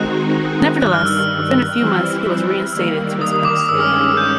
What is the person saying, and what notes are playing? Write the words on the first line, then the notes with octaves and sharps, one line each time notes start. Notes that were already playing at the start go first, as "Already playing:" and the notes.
Nevertheless, within a few months he was reinstated to his post.
Already playing: D#3 G#3 C4 D#4 F#4 F#6
G2 D#3 G3 F#6
F6
E6
F6
E3 G3 C4 E4
D#3 G3 A#3 E6
D#6
D#6
D6
D#6
G2 D#3 G#3 C#4 E6
F6
F6
F6
G6